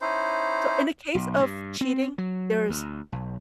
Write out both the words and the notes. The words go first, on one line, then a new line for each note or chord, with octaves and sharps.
So, in the case of cheating, there's
C#4 D#4 E4 C5
B1
G2
C4
F#3
D2
B1